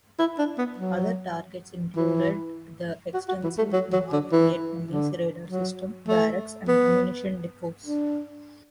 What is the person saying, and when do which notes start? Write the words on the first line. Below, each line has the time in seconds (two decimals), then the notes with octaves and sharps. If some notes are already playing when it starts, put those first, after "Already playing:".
Other targets included the extensive North Vietnamese radar system, barracks, and ammunition depots.
0.19 E4
0.38 D4
0.58 B3
0.78 F#3
1.96 E3
3.14 F#4
3.28 F#4
3.43 E3
3.58 A3
3.73 F#3
3.92 F#3
4.12 D3
4.32 E3
4.91 D3
5.50 F#3
6.08 A3
6.68 B3
7.86 D4